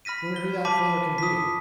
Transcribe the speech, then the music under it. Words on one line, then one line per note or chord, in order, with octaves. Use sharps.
Wonder who that feller can be.
B5 F6 A#6 B6 D#7
G7
A5 B5 D6 B6 D#7
D#6 B6